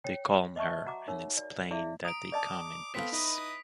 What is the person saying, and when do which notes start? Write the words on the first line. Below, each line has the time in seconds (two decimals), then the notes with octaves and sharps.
They calm her and explain that they come in peace.
0.04 C#5 G5
0.56 D#5 E5 A5 C#6
0.86 F#4 F#5 A#5 D6
1.08 D#4 A#4 C#5
1.37 D5
1.71 E4 G#4 D5 E5 F5
2.05 A#5 D#6 D7
2.32 D5 D#5 A5 D6
2.95 B3 C4 A4 F5 B6
3.12 D#4 E4 B4 D#5